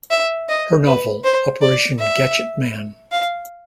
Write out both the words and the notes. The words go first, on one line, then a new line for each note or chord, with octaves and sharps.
Her novel Operation Gadgetman!
E5
D#5
B4
C5
D5
E5
F5